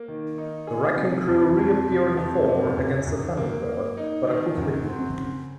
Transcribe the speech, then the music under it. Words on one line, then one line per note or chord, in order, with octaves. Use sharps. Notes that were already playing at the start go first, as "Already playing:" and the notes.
The Wrecking Crew reappear in "Thor" against the Thunder God, but are quickly beaten.
Already playing: A#3
D#3
D#4
G#4
C3
F2
F2
C3
F2
C3
F#2
F#2
A#3
A#3
D#4
D#3
F#2
C4
C#3